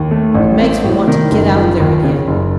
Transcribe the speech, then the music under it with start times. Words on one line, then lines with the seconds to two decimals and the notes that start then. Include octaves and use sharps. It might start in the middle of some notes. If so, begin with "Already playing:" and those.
It makes me want to get out there again.
Already playing: D#2
0.11 A3
0.35 A1
0.59 C4
0.84 A2
1.08 D#3
1.31 F#1
1.56 F3
1.80 D#2
2.03 C#3
2.28 F#1